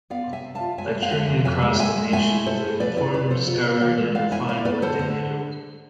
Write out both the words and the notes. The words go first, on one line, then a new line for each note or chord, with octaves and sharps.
Lecturing across the nation, they informed, discovered, and refined what they knew.
B3 D5 F5
C3
E5 G#5
C3
F5 A5
F4
G#3 E5 G#5
G#3 E5
F5
F2 E5 G#5
F3
F2 E5 G#5
G#3
F5
G#3 E5 G#5
G#3
A3 E5 G#5
E4
B2 A4 C5
B2
F3 B4 D5
E4 B4 D5
E4 B4 D5
F3 A4 C5
D2 F4 A4
C3 D5 F5
E3 D5 F5
G#3
E4 D5 F5
E4 E5 G#5
E4 D5 F5
B3 B4 D5
D3 A4 C5
D3